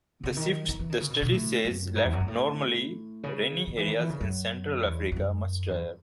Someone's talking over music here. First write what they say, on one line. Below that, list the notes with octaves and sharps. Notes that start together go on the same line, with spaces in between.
The shift, the study says, left normally rainy areas in Central Africa much drier.
C#3
D#3
D#3
E3
D#3
C#3
B2
B2
A2
F#2
G#2
E2
F#2
G#2
A2
C#3
D#3
E3
D#3
E3
C#3
F#2
E2
E2
F#2
E2